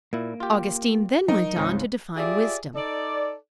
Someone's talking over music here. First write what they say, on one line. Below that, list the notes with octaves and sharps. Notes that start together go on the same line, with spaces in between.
Augustine then went on to define wisdom.
A#2 A#3 E4
F4 G4
F#3 D#4 A#4
C#2 G#2 C#3 C4 G#4 G#5
F4 G4 G#4 D5 E5
D#4 A4 D5